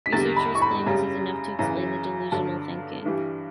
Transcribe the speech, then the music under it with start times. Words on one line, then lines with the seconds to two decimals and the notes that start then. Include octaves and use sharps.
Researchers claim this is enough to explain the delusional thinking.
0.06 B6
0.12 E2 D3 G3 A6
0.37 B5
0.55 C#6
0.62 B5
0.86 F#2 C#3 G3
1.59 F#2 C#3 E3
2.32 G2 D3 F#3 A5
3.05 G2 E3 G3